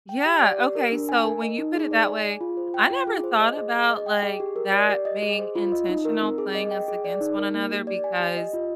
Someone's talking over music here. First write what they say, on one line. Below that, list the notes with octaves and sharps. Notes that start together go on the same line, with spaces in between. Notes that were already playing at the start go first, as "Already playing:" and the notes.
Yeah, okay. So when you put it that way, I never thought about, like, that being intentional playing us against one another because,
G5
G4
D5
G4
A#4
D4
G#5
A#4
D#5
D#4
G#4
D5
G#5
G#4
F4
C5
G5
F4
G#4
C5
D#5
G#4
G#4
D#5
G5
G#4
G4
A#4
D5
G4
D#5
G#4
C5
F4
D#5
D#4
A#4
C4
G#4
D#5
G5
G#4
D5
D#4
A#4
A#3
G4
D5
G#5
G4
D#5
F4